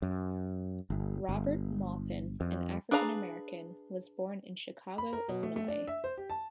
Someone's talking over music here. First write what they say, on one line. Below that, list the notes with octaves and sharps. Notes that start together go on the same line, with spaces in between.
Robert Maupin, an African-American, was born in Chicago, Illinois.
F#2
G1
G1
F2
D4 G#4 B4 F5 A#5
B5
A#4
B2
A3
A3
D4
E5
C5
G4
A5